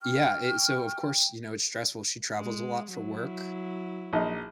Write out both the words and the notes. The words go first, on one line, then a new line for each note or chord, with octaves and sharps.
Yeah, i so, of course, you know, it's stressful. She travels a lot for work,
G5 C#6 F6
G#3
F#3 E4
A#1 D#4